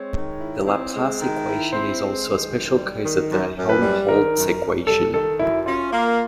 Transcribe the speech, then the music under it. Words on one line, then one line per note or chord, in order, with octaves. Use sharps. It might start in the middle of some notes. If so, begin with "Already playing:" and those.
The Laplace equation is also a special case of the Helmholtz equation.
Already playing: G#3 C4 C#5
D#3
E4
C4
G#3
D#3
E4
C4 C5
G#3
D#3
F#2
G3
D#3
F#2
F#2
B4
G3
D#3 A#4
F#2
F#2
G3 A4
D#3 A4
F#2 E4
C#4 F4
A#3